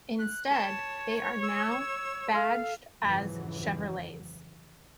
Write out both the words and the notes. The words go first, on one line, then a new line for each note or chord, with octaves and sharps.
Instead, they are now badged as Chevrolets.
F#6
C#5 A5
E6
A4 F5
F2 G#2 C#3 E3 F#3